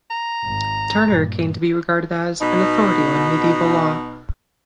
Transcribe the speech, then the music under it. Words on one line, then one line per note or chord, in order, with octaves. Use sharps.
Turner came to be regarded as an "authority on medieval law".
A#5
G#1
G2 A#2
B2 D#4